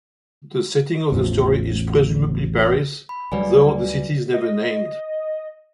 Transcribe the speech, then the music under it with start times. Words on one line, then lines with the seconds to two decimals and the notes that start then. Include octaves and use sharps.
The setting of the story is presumably Paris, though the city is never named.
1.12 A1 E2 F3
3.09 B5
3.32 D2 F#3 G3 B4 D5 G#5
4.34 D#5